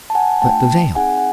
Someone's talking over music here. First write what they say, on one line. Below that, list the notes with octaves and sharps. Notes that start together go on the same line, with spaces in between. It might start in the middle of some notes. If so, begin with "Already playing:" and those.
"But the veil?"
A5
F#5 G#5
A3 D4 F4 G5 A5
C4 D#4 G#4 F#5 G#5
F#5